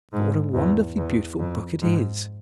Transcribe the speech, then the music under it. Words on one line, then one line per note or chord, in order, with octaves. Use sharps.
But what a wonderfully beautiful book it is!
G#2
E2
E2
F2
G#2